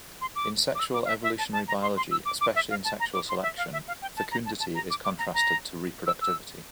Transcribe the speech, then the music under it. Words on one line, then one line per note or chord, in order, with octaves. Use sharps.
In sexual evolutionary biology, especially in sexual selection, fecundity is contrasted to reproductivity.
C6
D6
D6
E6
D6
F5
E5
E5
A5
A5
A#5
C6
C6
E6
D6
D6
E5
F5
A5
A#5
D6
C6
E5
F5
E5
F5
G5
A5
A#5
A5
A5
A#5
D6
D6
A#5
A#5
E6
E6